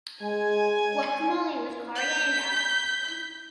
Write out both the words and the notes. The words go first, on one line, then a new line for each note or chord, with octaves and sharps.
Guacamole with coriander.
G#3 G#5
G6 B6